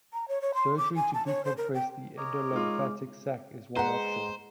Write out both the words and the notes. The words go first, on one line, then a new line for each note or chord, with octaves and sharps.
Surgery to decompress the endolymphatic sac is one option.
A#5
C#5
C#5
C6
D6
G#5
A5
C#5
C5
A#4
G5
A#4 C#5 D#5 D6
G#3 D#4 F4
G#3 B4 C5 F#5 A#5